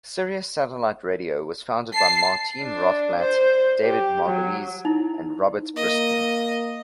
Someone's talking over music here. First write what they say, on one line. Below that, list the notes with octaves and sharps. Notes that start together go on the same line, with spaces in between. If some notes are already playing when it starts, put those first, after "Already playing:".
Sirius Satellite Radio was founded by Martine Rothblatt, David Margolese and Robert Briskman.
A5 C7
D4
C5
G4
F#3
D#4 E4
A#3 D#5